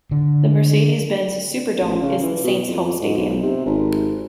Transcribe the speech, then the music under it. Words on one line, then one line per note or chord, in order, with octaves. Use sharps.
The Mercedes-Benz Superdome is the Saints' home stadium.
D3
A1
C#3
E3
B2
F2
G#2
B1
C3
G#1